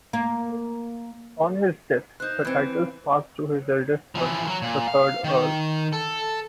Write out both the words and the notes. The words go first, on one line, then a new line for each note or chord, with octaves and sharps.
On his death the titles passed to his eldest son, the third Earl.
A#3
D#4 C5 F#6 G6
E3 C4 E6 G#6 C#7
C5
E3 F3
F#3
A#2
F5
D#3
A4